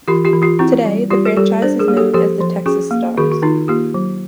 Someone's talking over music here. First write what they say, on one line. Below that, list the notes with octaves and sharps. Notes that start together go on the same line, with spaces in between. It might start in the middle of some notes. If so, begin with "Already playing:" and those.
Today, the franchise is known as the Texas Stars.
E3 F4 G4
F4 G4
E3
F4 G4
C4 E4 F#4
G3
G3 F4 G4
A#4
G3 G4 A4
D4 C5 D5
G#4 A#4
A#3
G4 A4
F3 G4 A4
F3
C#4 F#4 G#4
A#3
D#3 F#4 G#4
F#4
D#3 D#4 F4
A#3 F4 G4
F#3